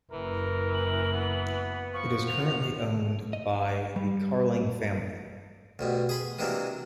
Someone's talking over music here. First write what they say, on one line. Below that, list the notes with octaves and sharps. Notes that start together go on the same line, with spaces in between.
It is currently owned by the Carling family.
F#1 E3 A#4
F#7
B3
F3 C#6
C3 F#4 F7
D#5
G3
D2 G2 B2
G#4 B5 C6
C3 E3 F#3 G#3 A#3 D4